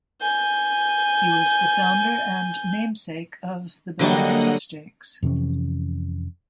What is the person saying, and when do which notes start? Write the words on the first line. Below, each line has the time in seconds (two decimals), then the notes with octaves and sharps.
He was the founder and namesake of the Belmont Stakes.
0.22 G#5 G6
3.99 D3 F#3 G3 A#3 D#5 F#5
5.22 F2 C3 E3 C#4